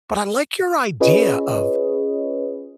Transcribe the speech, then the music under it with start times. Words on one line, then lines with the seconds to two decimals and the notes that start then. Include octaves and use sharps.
But I like your idea of
1.00 C#4 F4 G#4 B4 C#5 D#5